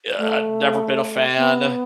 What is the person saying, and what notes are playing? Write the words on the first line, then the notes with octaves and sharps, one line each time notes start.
Ugh, I've never been a fan,
A3
B3